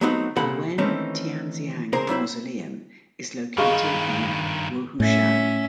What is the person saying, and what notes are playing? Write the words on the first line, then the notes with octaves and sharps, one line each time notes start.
The Wen Tianxiang Mausoleum is located in Wohushan.
F#3 A3 B3 C4 D#4 F#4
C2 A#2 C4 A4 F#5 B5
D#3 E3 A3 C4 C#4 D#4
C#2 C4 G#4 A#4 C5 A#5
F#3 E4 C5
G2 D#3 G#3 F4 C#6
A2 C#4 E5